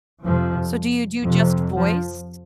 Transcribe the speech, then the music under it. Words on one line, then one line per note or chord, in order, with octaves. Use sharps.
So, do you do just voice?
F2 C3 F3
F2 C3 F3
F3